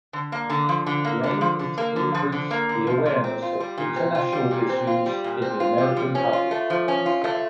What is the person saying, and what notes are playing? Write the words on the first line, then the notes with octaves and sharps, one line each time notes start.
The aim is to increase the awareness of international issues in the American public.
D3
A#3
D3
F3
D3
A#3
D3
F3
D3
A#3
D3
F3
D3
A#3
D3
F3
A#2
C4
F4
G3
A#2
C4
F4
G3
A#2
C4
F4
G3
A#2
C4
F4
G3
F3
C#4
F4
A3
F3
C#4
F4
A3